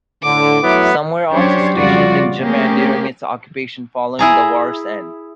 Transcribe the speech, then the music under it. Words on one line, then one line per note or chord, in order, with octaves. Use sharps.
Some were also stationed in Japan during its occupation following the war's end.
A2 D3 D6
F#3 A3 B3 E4
F#3 C#4 D4 G4 C5 C#5
F2 C#3 G3 F4 F#4 D5
A3 A#3 C4 C#4 G4 G#4
E4 G#4 A#5